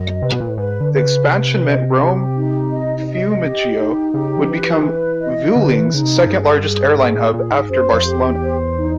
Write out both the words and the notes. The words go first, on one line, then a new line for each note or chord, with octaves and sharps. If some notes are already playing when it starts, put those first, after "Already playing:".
The expansion meant Rome-Fiumcino would become Vueling's second largest airline hub, after Barcelona.
Already playing: F#2 D#5
C3 B4
B2
A#2
A2
G#2 B4
D3
B4
C#3
C3 B4
D#5
G4
D#4
D#5
D#5
G4
D#4
C#3 G4
F3
B4
E3
F3
E3 B4
D#5
D#3
D3 B4
E3
C#3 D#4
C3
G2 G#4
G#4
G#2 G#4
A2
A#2 G#4
G#2
F#2 C5
F2
G4
E2
C5
D#4